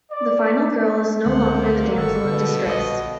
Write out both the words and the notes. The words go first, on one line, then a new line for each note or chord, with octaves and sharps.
The final girl is no longer the damsel in distress.
D5
C#2 D3 G#3 A#3 C5 F#5
G1 D#3 G3 A4 C#6
B2 D3
A#1 D#5